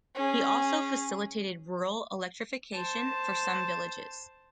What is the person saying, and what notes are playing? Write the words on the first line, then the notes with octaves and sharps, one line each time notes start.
He also facilitated rural electrification for some villages.
C#4 G#4
C5 A5